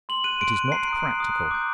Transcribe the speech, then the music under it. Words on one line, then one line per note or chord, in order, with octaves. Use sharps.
It is not practical.
C6 F#7
F#6 D#7
C6 D7
F#6
A#5 C7
F#6
D#6
A#5
D#6 F#6
A#5
D6 G6